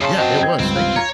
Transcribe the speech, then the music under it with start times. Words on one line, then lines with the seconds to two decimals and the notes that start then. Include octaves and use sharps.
Yeah, it was, thank you.
0.01 F#2 C#3 A5 C6 C7
0.18 C4 F#4 D#5
0.39 D#5 G5 G#6
0.59 C#2 G2 C4
0.76 F4
0.96 C#5 A#5 G#6